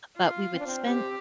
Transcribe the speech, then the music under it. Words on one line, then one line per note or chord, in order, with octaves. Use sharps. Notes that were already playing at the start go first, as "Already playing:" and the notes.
but we would spend
F4
C4
D4
C4
G4